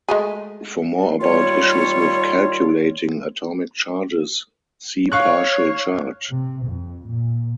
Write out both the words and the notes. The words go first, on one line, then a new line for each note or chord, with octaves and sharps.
For more about issues with calculating atomic charges, see partial charge.
G#3 A3 G#4
D#2 G3 F4 C#5
C#5 F5 C#6 F#6
C3
F2
A#2